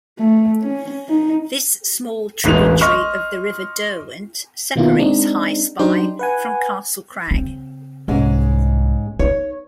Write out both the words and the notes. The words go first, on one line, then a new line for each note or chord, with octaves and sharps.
This small tributary of the River Derwent separates High Spy from Castle Crag.
A3
C#4
D#4
E1 A1 G#3 B4 F7
D#5 C6 C#6 F6
B2 D#3 A#3 B3 E4 F4
G#3 C4 D4 D#4
F#3 D4 D#4 G4 C5
B4 F#5 G#5
C#3 C4
C2 G#2 G#3 C#4
D#4 C#5